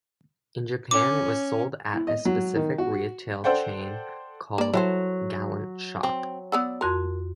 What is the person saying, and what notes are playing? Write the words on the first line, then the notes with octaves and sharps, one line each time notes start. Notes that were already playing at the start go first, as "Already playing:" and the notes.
In Japan, it was sold at a specific retail chain called "Galant Shop".
C#4 D6
E4
D#5
F#3
D#3
F#4
A4 C5 D5 F#5 G5
A#3 D5
F#3 E4 A4 C5
C4
B3 D5 F#5 E6
F2 F#4 A#4 C6